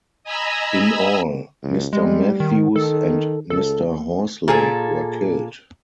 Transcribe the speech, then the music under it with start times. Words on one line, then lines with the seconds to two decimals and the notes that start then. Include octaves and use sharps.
In all, Mr. Matthews and Mr.Horsley were killed.
0.24 D#5 G#5 A#5 B5 E6
1.63 C#2
1.93 G3 G#3
2.40 D#3
2.76 D#3 A4
3.50 C#2 A4
4.48 A#2 G#4 A4